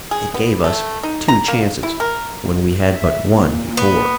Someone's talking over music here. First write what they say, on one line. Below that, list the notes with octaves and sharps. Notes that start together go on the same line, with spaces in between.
It gave us two chances, when we had but one before.
G#4
B3
A3
D#4
A#5
A#3
E4
A#4
E5
A#2
B3